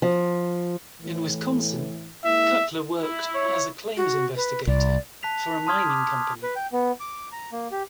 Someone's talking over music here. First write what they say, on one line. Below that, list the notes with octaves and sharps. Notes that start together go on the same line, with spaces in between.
In Wisconsin, Cutler worked as a claims investigator for a mining company.
F3
A2 E3
G#3 A#3 E4 E5
E4
C#5
F#4
B4
C2 D5
A5 F#6 B6 F7
A5 C6 D#6 F6 G#6
D6
B4
G5
B3
D6
A#5
A#3
G4